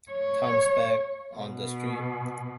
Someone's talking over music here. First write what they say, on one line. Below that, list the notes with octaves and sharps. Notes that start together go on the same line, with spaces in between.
Tom's back on the street.
C#5
B2